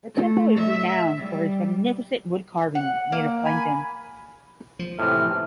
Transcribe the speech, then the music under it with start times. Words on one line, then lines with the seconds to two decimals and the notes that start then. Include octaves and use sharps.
The temple is renowned for its magnificent wood carvings made of plankton.
0.14 A3
0.57 E5
1.17 G3
2.75 F#5
3.12 A#3
3.46 G#5 B5
4.79 F3
4.99 A2 C3 E3 F6